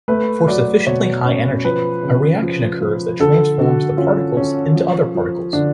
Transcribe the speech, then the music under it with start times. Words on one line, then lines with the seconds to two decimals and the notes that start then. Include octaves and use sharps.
For sufficiently high energy, a reaction occurs that transforms the particles into other particles.
0.08 A3 B4
0.48 F#3 D5
0.87 B2 C#5
1.25 C#4
1.65 F3 B4
2.03 C#3
2.42 F3
2.81 F3
3.20 D3 A4
3.59 D3 F#4
3.97 C#4 F4
4.37 C#4
4.75 F3
5.15 F3
5.53 D3 D4